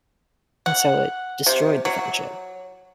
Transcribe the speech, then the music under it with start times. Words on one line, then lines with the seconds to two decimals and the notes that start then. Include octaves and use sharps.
and so it destroyed the friendship.
0.66 F#5
1.46 C3
1.85 F#3